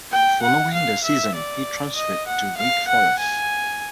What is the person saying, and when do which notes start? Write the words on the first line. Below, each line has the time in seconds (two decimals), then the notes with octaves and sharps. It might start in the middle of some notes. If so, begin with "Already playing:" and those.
Following the season he transferred to Wake Forest.
0.11 G5
0.42 F#5
0.73 F5
1.04 E5
1.34 D5
1.95 D#5
2.27 F#5
2.57 F5
2.88 F#5
3.19 G#5